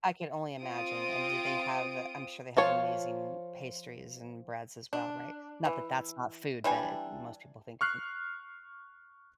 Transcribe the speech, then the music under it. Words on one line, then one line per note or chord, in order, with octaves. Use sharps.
I can only imagine. And do they have I'm sure they have amazing pastries and breads as well, right? Not that that's not food, but most people think of a
C4 F4 D#6 D7
F3 F4 C#5
D4
E3
E3 G3 D4 G#5
C#6 F6 F#6 C7